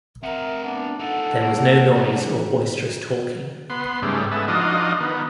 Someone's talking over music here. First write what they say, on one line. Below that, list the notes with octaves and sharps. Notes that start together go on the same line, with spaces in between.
There was no noise or boisterous talking.
C4 A#4 E5 F#5
B3 D4
D#4 F4 A4 F#5
A#3
G3 A3 D4
B3 C6
G#2 C#3 G3 A3
G#3 B3 A4 E5
F3 D4 D#4 F4 F#4 D#5
D#3 B3